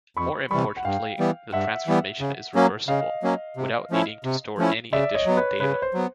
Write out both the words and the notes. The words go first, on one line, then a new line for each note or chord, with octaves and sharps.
More importantly, the transformation is reversible, without needing to store any additional data.
F2 B5 C#6
C3 E3 G3 B5 C#6
F#5
G2 F5 G5
E3 G3 B3
G2 E5 F#5
E3 G3 B3
C#3
F#3 A#3 C#4
C#3 D#5 F5
F#3 A#3 C#4
C3
F3 A3 C#4 E4
C3
F3 A3 C#4 E4
C#3 D5 E5
C#5 D#5
F#3 B3
B4 C#5
C#3 B4 C#5
C5
F#3 B3